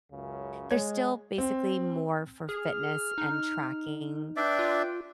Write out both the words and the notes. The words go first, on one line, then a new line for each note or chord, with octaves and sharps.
they're still basically more for fitness and tracking.
C#2 F#2 C#3
G#3 C#5
C4
G#4 F6
D#4
D4 B4 D5 E5 G5
F4